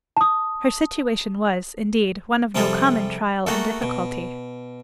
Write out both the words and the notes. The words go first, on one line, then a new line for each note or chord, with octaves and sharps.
Her situation was, indeed, one of no common trial and difficulty.
A5 D#6
C3 F3 G3 F4 G#4 A4
A3 A#3 F#4 G#4 A4
B2